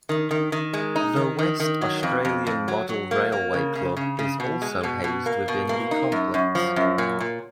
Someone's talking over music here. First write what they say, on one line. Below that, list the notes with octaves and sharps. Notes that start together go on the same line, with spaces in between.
The West Australian Model Railway Club is also housed within the complex.
D#3
D#3
D#3
G#3
D#4
D#3
D#3
D#3
F#3
F2
F2
F2
F#3
F#3
A#3
A#3
C#3
C#3
C#3
C#3
B2
G#3
B2
B2
A#3
B2
A#3
D#4
F#2
F#2
F3
F#2
A#2
A#2